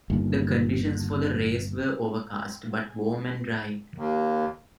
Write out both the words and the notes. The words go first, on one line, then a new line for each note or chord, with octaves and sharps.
The conditions for the race were overcast, but warm and dry.
G1 D#2
D#2